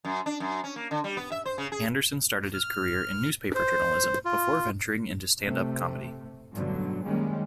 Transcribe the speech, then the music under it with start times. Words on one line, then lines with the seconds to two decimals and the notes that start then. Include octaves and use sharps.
Anderson started his career in newspaper journalism, before venturing into stand-up comedy.
0.05 F#2
0.26 D4
0.40 F#2
0.64 C#4
0.76 A#3
0.91 D3
1.04 G3
1.17 B3
1.32 E5
1.45 C5
1.58 C#3
1.72 G#4
2.54 F6
3.55 C5
4.25 F4
5.42 C3 A3
6.52 A1 G2 B2 D3 F#3
7.05 F#2 D#3 G3 G#3 A#3 C#4